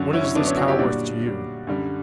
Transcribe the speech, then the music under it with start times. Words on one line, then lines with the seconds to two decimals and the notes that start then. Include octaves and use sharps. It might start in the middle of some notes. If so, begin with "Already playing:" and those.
"What is this cow worth to you?"
Already playing: F#2 D3 F#3
0.13 C#4 E4
0.24 C#4
0.35 F#2 D3 F#3 B3 D4
0.46 C#4 E4
0.57 D4 F#4
0.68 E4 G4
0.79 A#2 G3 D4 F#4
1.23 A#2 G3
1.67 F#2 D3 G3